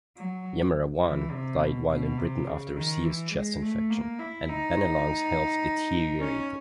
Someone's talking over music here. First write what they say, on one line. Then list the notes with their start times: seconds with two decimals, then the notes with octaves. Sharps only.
Yemmerrawanne died while in Britain after a serious chest infection, and Bennelong's health deteriorated.
0.17 F#3
1.03 E3
1.32 C3
1.60 B2
1.89 B2
2.18 C3
2.46 C#3
2.76 D#3
3.04 E3
3.33 G#3
3.62 A3
3.90 A#3
4.19 E4
4.48 D#4
6.20 C#4